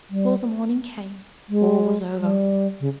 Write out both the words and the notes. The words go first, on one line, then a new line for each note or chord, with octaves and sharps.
Before the morning came all was over.
G3
G#3
G3
C#3